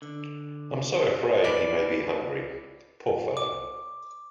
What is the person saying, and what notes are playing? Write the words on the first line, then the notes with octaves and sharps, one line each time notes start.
I'm so afraid he may be hungry, poor fellow.
D3
B4 D5
D6